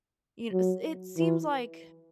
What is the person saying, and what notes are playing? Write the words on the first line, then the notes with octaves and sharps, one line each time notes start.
y kn s it seems like,
F#3
E3